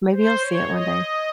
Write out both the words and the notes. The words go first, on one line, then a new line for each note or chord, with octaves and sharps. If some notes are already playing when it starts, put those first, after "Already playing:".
Maybe you'll see it one day.
C5
C#5
D#5